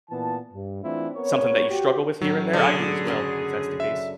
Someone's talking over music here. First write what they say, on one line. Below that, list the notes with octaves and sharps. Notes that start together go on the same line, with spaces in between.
something that you struggle with here and there, I do as well, if that's the case.
A#2 E3 B3 A5
G2
E3 A3 C4 D4 E4 F4
B3 C4 A#4 C#5
F#4 G4
A2 F#3 C#4
B2 D3 G#4
F#2 C#3 C#4
E5